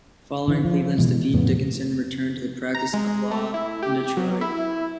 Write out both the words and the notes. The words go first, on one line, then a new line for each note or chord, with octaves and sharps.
Following Cleveland's defeat, Dickinson returned to the practice of law in Detroit.
D3 E3
F3
B2 E3 G#3
F2 A2 C#3 B3
A#5
G#3
A3
E4
G4
F#3
E4